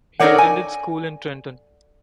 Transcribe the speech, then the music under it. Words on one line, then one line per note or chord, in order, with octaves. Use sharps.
He attended school in Trenton.
D#4 A4 A#4 C#5 D5 F#5
G#5